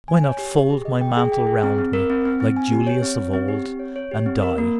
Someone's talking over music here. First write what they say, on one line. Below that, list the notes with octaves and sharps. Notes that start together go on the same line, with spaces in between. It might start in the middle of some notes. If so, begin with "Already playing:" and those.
Why not fold my mantle round me, like Julius of old, and die!'
G#5
C#5
G4
G4
G#4
D#5
G5
G#4
G5
G#4
C4
C4
A#4
C4
C4
C4
G#5
G4
C#5
C4
C#5
C4
G4
C4
C#5
C#5
G4
C4
A#4
A#3